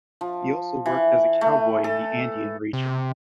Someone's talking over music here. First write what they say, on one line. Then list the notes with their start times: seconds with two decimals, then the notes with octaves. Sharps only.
He also worked as a cowboy in the Andean region.
0.21 F3
0.86 E3
1.41 A3
1.84 A4
2.73 C3